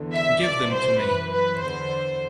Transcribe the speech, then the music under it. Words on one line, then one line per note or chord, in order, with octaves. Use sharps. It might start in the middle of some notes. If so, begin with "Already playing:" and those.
Give them to me.
Already playing: E2 D3
E5
C2 B2 D5
C5
F#2 E3 B4
B4
E2 D3 C5